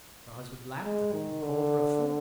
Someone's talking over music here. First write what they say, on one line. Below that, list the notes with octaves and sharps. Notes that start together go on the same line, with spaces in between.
Her husband laughed at her, and called her a fool.
G#3
D#3
D3